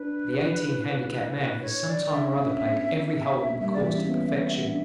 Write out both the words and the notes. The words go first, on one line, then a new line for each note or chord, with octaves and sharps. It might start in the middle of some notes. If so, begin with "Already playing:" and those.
But the eighteen-handicap man has some time or other played every hole on the course to perfection.
Already playing: D4 B4
E4
B4
C#5
D5
D4 E5
C#4
B3
A#3
G3 E5
D5
E3 E5
C#4
B3
C#4
D4